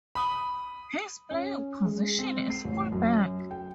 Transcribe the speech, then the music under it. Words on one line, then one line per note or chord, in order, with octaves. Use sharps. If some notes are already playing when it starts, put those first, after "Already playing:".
His playing position is fullback.
B5 D#6
C#4
G#3
C4
C7
A1
F#2
G5